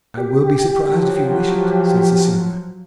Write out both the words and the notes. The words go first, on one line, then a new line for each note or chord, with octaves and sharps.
"I will be surprised if you wish it," said Cecilia.
G4
F3 F#3